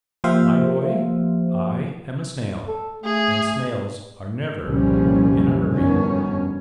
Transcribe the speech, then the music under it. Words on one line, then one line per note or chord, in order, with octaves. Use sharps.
"My boy, I am a snail and snails are never in a hurry."
F3 A#3 G4 C5 E5 F5
A4
A3 G#4
F#1 C2 A#2 F3 G3 C#4
G1 F2 B2 D#3 C#4